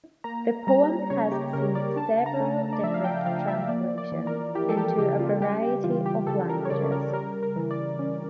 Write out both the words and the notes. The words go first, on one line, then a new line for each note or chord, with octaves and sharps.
The poem has seen several different translations, into a variety of languages.
A#3 A#5
G3 A#5
C#3 C#5
G4
C#3 A#4
D5
D4 A5
A#5
A3
D5
F3 E5
F5
G5
F3 F5
E5
A#3 D5
D5
E3
A#4
E4 G4
A4
G4
C#3 G4
F4
G3 G4
G4
E3 F4
G4
C#3 A4
A#4
C#5
C#3 D5
A#4
G3 A#4
A#4
E3
D5
C#4